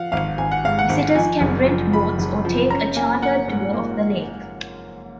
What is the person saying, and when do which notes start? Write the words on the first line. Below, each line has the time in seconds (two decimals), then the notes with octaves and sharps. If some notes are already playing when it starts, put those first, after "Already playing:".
Visitors can rent boats or take a chartered tour of the lake.
Already playing: F3 F5 F#5
0.12 G#1 F5
0.38 G#1 G#5
0.52 F#5
0.65 G#2 F5
0.79 F#5
0.89 G#1
1.15 F3 G#5
1.41 F#1
1.67 F3
1.93 F3 B5
2.19 F#1
2.45 F3
2.70 C#4 A#5
2.96 A#3 G#5
3.22 A#3 F#5
3.48 G#2
3.73 A#3